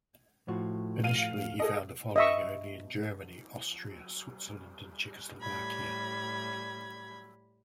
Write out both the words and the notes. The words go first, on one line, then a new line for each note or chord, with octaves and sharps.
Initially he found a following only in Germany, Austria, Switzerland and Czechoslovakia.
A2 F3 F#4
F5 D#7
G#4 A4 D#5
D#5 E5 C#6
A2 G3 B5 G#6